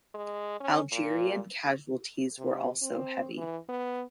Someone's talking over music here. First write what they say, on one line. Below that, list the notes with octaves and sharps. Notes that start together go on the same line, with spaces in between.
Algerian casualties were also heavy.
G#3
C#4
A#2
C3
C4
E3
B3